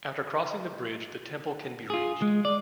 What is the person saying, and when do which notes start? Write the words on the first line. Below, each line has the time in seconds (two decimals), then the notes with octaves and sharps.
After crossing the bridge the temple can be reached.
1.90 F4 G#4
2.22 G#3
2.45 D5